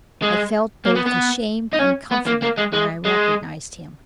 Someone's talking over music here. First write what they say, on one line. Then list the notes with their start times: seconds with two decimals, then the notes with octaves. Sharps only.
I felt both ashamed and comforted when I recognized him.
0.22 G#3
0.85 A#3
0.95 B3
1.06 B3
1.73 D#4
1.79 C#4
2.11 B3
2.26 A#3
2.42 A#3
2.58 G#3
2.73 G#3
3.05 G#3